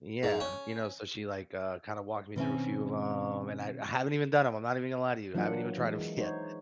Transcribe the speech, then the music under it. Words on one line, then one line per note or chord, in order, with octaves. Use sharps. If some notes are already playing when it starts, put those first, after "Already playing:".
Yeah, you know? So, she, like, uh, kinda walked me through a few of 'em, and I I haven't even done 'em, I'm not even gonna lie to you, I haven't even tried 'em yet.
G#2
C#4
B2 D#3 C4 C#4 E5 G#5
E3 F#3 A#3 D4 F4 F#5
E3 G#3
E3
D#4 F#4 C5 C#5